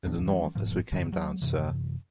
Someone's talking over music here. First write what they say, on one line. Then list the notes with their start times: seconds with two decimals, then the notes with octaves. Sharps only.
In the north as we came down, sir.
0.06 D#2 A2 F3 D4
0.26 E3 G3 C4 C#4
0.55 A1 G#2 B2 F3
0.92 G2 D3 E3 F3
1.12 F#3
1.42 F#2 C3 E3